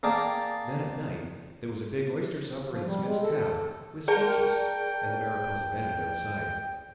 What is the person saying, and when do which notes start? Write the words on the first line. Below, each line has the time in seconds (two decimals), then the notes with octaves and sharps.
Then at night there was a big oyster supper in Smith's caff, with speeches, and the Mariposa band outside.
0.03 A#3 G#4 A#4 D5 G5 A5
2.70 F3
2.85 G3
3.03 G#3
3.22 A4
3.55 A4
4.08 G#4 A#4 D5 G5 A5